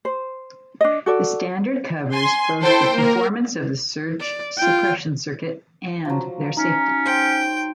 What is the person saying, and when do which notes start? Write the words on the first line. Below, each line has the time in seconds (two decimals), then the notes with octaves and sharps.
The standard covers both the performance of the surge suppression circuit and their safety.
0.05 C5
0.81 D4 D#5
1.06 F#4 A4 D5
2.12 G#5 C6
2.62 E4 A4 C5 G5 C6
2.96 A#3 A#4
4.20 D5
4.57 F4 G5
6.05 F3 F#3
6.57 C#4 D#4
7.05 C5 G5